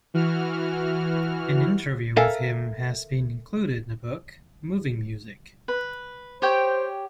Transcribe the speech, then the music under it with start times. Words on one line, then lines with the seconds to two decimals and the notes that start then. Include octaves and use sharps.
An interview with him has been included in the book "Moving Music".
0.14 E3 F#4 F6
2.17 A4 A#4 E5 F5 G#5
5.68 B4
6.42 G4 C5 C#5 G5